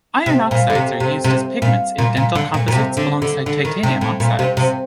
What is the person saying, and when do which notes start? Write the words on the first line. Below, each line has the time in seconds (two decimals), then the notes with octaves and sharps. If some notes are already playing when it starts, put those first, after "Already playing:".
Iron oxides are used as pigments in dental composites alongside titanium oxides.
0.26 C3
0.51 A#2
0.70 D3
0.75 C3
1.00 C3
1.24 C3
1.62 A#2
1.98 A#2
2.17 A#2
2.35 D3
2.54 A#2
2.68 A#2
2.72 C3
2.97 D3
3.22 D3
3.46 D3
3.65 D#3
3.83 C3
4.01 A2
4.20 A#2
4.39 C3
4.57 C3